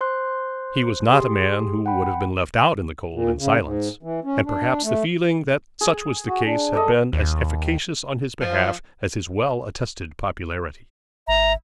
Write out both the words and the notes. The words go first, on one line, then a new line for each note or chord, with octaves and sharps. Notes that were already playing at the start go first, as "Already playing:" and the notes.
He was not a man who would have been left out in the cold in silence, and perhaps the feeling that such was the case had been as efficacious on his behalf as his well-attested popularity.
C5 C6 F#6
G4 G#4 C6
F#5 G5 B5
A#2
C#3
G#2
E3
C#4
D4
A3
G#4
F#4
D4
A4 D5 D#5
D#2
F3
G#1 E5 A#5